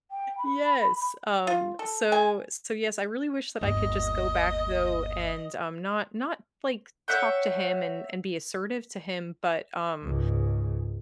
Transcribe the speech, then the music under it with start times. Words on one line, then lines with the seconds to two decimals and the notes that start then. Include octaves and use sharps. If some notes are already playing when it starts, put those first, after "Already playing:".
Yes, um, so so, yes, I really wish that I could just go back though, and, um, not not, like, talk to him and and be assertive to him, but, um,
0.11 G5
0.38 B5
1.47 F4
1.79 A4
2.12 G#5
3.61 G1 D#2 D#5
7.08 C#5 E5 F#5 G5
10.03 C#2 G#2